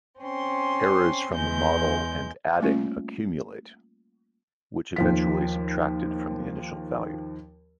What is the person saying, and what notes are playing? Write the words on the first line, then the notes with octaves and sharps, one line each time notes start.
Errors from the model and adding accumulate, which eventually subtracted from the initial value.
C4 C#4 C6
E2 G#3 G6
G3 A3 A#3 C#4 F4
D#2 F3 B6